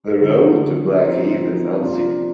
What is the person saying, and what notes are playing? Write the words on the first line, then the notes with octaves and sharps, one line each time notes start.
The road to Blackheath is unsealed.
D3 F3 A3
D3 F3 A3
F3 C4 D#4
F3 C4 D#4
C3 F3 A#3 D4 F4